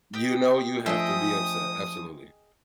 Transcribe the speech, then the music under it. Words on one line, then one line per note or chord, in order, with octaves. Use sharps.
You know, you have to be upset, absolutely.
G4 D#5 G5
F3 A3 D4 G#4 D#5 E5 G5 D#6